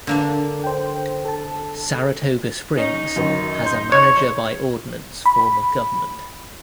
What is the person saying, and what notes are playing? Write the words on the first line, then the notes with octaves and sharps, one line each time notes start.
Saratoga Springs has a manager-by-ordinance form of government.
D3 A#3 D4
C5 G5
A4 A5
C#4 D#4
F#2 D#3
C6 G6
C#5
B5